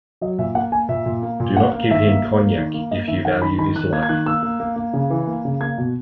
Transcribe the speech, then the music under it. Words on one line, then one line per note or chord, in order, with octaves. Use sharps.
Do not give him cognac if you value his life.
F#3 D#5
A#2 E5
A#3 F#5
A#3 G#5
A#2 E5
A#2
A#3
A#2
A#3 F#5
A#3
D#3 E5
A#3
A#3
A#3
D#3
A#3
A#3 D#5
D#3 E5
D#3 F#5
D#3 B5
D#3 B5
D#3 F#6
A#3 G#6
G#6
D#3 F#6
A#3 E6
A#3
A#3
A#3
C#3
E3
A#3
C#3
A#3 G#6
B2